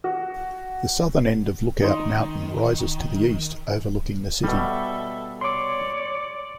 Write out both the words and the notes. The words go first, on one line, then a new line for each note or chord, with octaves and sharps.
The southern end of Lookout Mountain rises to the east overlooking the city.
F#4
D#3 D#4 C6
B2 G3 A4 E5
C#5 D5 C6 D6